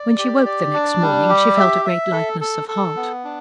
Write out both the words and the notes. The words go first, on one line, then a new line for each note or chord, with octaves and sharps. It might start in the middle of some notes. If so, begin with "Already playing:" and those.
When she woke the next morning she felt a great lightness of heart.
Already playing: D5
G4
D5
D4
G3
G4
E5
E5
A4
A4
A4
B3
D4